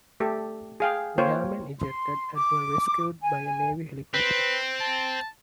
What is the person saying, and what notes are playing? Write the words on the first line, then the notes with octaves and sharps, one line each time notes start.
The airmen ejected and were rescued by a Navy helicopter.
A3 G4 A4
G#4 F5 G5
A#3 F4 C5 C#5 G5
C6
D6
G#5
C4 B4
A5